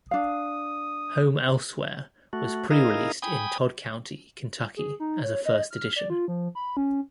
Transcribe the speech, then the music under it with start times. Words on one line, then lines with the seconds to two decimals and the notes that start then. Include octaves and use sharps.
Home Elsewhere was pre-released in Todd County, Kentucky as a first edition.
0.11 D4 F5 D#6
2.33 A3 F#4
2.71 D#4 E4 G#4 A#4 D#5 F5
3.22 G5 G#5 B5 D#6
4.77 G#4
5.00 D#4
5.24 C#5
5.45 D#5
5.70 F6
5.96 D5
6.10 F4
6.28 F3
6.55 B5
6.77 C#4